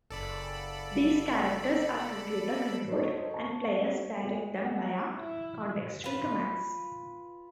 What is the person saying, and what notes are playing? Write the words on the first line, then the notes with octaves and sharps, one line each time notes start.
These characters are computer-controlled, and players direct them via contextual commands.
F#1 A4 D5 B5
D#4 F#4 A4 A#4 C5 C#5
A5 C#6
C#4 A4
G#3 B4 G#5
F#5
E4
F4 B4